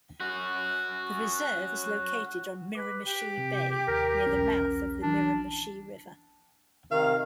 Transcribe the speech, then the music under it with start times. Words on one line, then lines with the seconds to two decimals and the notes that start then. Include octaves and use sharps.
The reserve is located on Miramichi Bay, near the mouth of the Miramichi River.
0.20 C#4 F#4
2.75 B4 D6
3.04 G4
3.38 C3
3.88 D#2 A#4
4.26 B1 E2 C#4
5.03 A#1 E3 D4
6.91 C3 D#3 A#4 F5